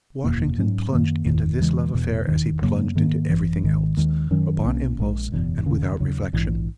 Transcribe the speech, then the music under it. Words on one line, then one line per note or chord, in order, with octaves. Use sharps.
Washington plunged into this love affair as he plunged into everything else--upon impulse and without reflection.
F#1 E2 B2 A#3
G#2 F#3 C#4
F#2 D#3 A#3
F#1 E2 D#3
E2 C#3 E3 G#3
E1 E2 B2
E1 D#2 D#3
F#2 C#3 F#3 A#3
G#2 D#3 A#3
G#1 F#2 E3
G#1 G#2 D#3 G#3
D#2 D#3 G#3
F#2 D#3 F#3 C#4
B1 B2 A#3 C#4
A#1 A#2 G#3
F#1 E2 B2
E1 D#2 C#3
D#2 C#3 F#3
A#1 G#2 E3